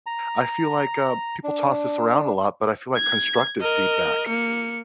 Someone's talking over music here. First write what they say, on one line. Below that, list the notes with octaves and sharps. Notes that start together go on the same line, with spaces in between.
I feel like, uh, people toss this around a lot, but I feel like constructive feedback
A#5
D4
G#6
A#4 D#5
A#3 C#7